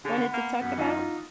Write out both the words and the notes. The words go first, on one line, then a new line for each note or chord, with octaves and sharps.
wanted to talk about?
D3 G#4 C#5
B3
A#3
F#2 B3
E3 D#4 F4